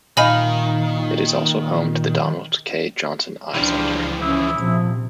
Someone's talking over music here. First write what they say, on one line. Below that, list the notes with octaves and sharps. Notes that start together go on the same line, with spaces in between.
It is also home to the Donald K. Johnson Eye Centre.
A#2 D#3 D#4 D#5 F5 G#5 B5
C#2 E3 F3 G3 D4 F4 C6
C#4 E4 G#4 E5
A#1 C3 F3